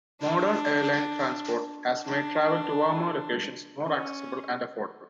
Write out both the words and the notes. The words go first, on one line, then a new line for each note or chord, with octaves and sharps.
Modern airline transport has made travel to warmer locations more accessible and affordable.
D4
D4
C#4